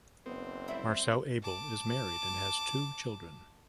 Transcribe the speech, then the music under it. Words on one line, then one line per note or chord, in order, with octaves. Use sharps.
Marcel Abel is married and has two children.
F#1 B3 C4
G3 E4 E5
A5 D6